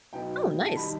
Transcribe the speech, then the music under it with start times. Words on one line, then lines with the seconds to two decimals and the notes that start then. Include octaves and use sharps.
Oh, nice.
0.13 B2 F#3 B3 D#4 G5
0.65 A5
0.76 D#3 G3 D#4 B5